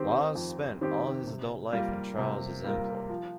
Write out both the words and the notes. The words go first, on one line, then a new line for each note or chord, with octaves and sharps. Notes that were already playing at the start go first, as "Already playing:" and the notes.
Lawes spent all his adult life in Charles's employ.
Already playing: D#3 C4 G4 C5
F2
D#3 C4 G4 C5
C3
G3 A#3 F4 A#4
C3
G3 A#3 F4 A#4
F3